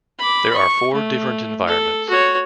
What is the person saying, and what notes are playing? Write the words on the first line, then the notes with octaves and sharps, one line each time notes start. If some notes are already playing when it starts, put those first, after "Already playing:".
There are four different environments.
B5 D6
C#6
A3
A4
F#4 C#5